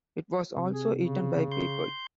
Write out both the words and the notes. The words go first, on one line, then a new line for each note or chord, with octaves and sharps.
It was also eaten by people.
C3
G#4
C#3
C6 G6